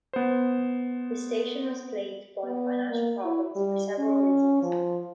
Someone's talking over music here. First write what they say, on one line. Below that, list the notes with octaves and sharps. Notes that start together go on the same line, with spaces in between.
The station was plagued by financial problems for several reasons.
B3 C5
B3
A#3
E4
G3
C#4
F3